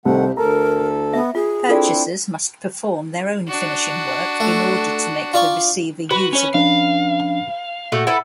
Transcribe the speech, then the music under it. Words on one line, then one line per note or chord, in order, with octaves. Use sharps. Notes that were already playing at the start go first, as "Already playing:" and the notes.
Purchasers must perform their own finishing work in order to make the receiver usable.
C2 D#3 A3 C5 F#5
D2 A4 A#4 A#5
B3 E5
F4 G#4
C4 D4 E4 F4 A4 D5
D4 F#4
A3
F4 D5 C#6
F#4 B4
C#4 C#5
F3 C#4 D4 F5
A#2 A3 F#4 G4
E4 A4 B4 F#5